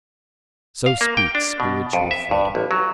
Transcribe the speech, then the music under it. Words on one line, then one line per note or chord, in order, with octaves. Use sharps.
So speaks "spiritual freedom."
F5
A#3
G5
D4
B2
F2
E5
G2
A1
F#3